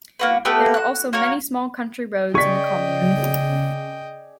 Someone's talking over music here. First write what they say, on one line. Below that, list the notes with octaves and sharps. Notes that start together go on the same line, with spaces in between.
There are also many small country roads in the commune.
A#3 F#4 B4
A3 B3 G4 B4
F#4 F#6
A#3 F#4 A#4 C#5
C#3 G#4 D5 D#5 G5 C#6 B6